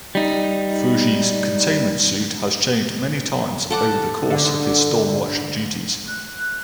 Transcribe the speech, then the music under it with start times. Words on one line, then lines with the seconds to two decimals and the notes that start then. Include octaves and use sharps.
Fuji's containment suit has changed many times over the course of his Stormwatch duties.
0.15 G3 D#4
3.70 A4 F#5 D6
4.30 D3
6.08 F#6